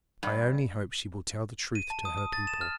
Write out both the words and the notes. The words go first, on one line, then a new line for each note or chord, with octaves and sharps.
I only hope she will tell the truth to her people.
G2
D#7
A5
D#6
D#6
A6
E7
F6